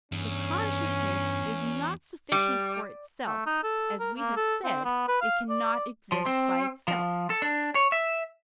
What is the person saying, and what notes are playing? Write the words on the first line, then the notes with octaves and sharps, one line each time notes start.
The consciousness is not sufficient for itself; as we have said, it cannot exist by itself.
E2 G2 C#4
G3
A3
D#4
A4
A#4
A#3
A4
C4
B3
B4
F5
D5
F3
C4
F3
A4
D4
C#5
E5